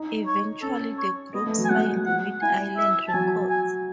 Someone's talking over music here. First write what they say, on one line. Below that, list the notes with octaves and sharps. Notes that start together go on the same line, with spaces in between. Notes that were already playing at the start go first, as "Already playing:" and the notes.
Eventually, the group signed with Island Records.
Already playing: D#4
C#5
C#4 A4
C#5
B3 D#5
A3
F#3
G#5
G#3 F#5
F#5
E4 G#5
E5
A5
F#3 G#5
G#5